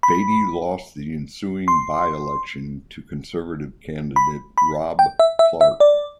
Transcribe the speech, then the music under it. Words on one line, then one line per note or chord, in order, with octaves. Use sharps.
Beatty lost the ensuing byelection to Conservative candidate Rob Clarke.
B5
C6
B5
B5
G5
E5
E5
E5
D5